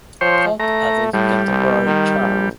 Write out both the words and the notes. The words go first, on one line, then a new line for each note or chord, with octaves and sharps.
Hot Adult Contemporary chart.
F3 C5 C#5 G5
A3 A#5
A2 G3
C2
D#3
A#1